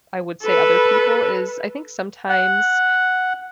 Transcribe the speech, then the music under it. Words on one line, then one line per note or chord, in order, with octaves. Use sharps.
I would say other people is I think sometimes
A4 B4
F#5